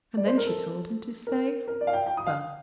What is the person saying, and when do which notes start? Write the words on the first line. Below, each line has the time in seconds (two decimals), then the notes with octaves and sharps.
And then she told him to say papa.
0.17 D5
0.27 C5
0.38 A#4
0.47 A4
1.27 A#4
1.68 A#4
1.81 D5
1.87 F5
1.93 G5
2.06 G5
2.17 D#6
2.27 F5